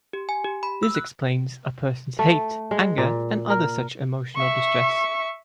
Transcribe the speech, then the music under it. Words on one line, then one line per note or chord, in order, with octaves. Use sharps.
This explains a person's hate, anger and other such emotional distress.
G4
G#5
G4
B5
E6
F#6
A3
G#3
A#2
A#4
E5 C#6